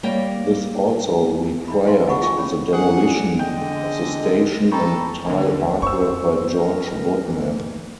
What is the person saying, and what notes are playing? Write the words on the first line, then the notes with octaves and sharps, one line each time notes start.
This also required the demolition of the station and tile artwork by George Woodman.
G3 A#3 C#5 G5
D4 E5 B5
E5 F5 A5 C6
D#5 E5 F#5 B5 C#6
F4 G#4 D#5 G5 G#5 C#6
C#4 C#5 B5
C#4 G#4 D5 F#5 G#5
D3 G#3 D#5 G5
A4 G5 A#5 B5 C#6
D#2 D3 A#3
F#2 C5 C#6 E6
B3 A#4
G#2 E3